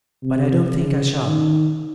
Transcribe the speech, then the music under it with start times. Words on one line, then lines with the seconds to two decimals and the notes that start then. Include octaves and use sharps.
But I don't think I shall.
0.23 C3
0.75 C#3
1.27 D#3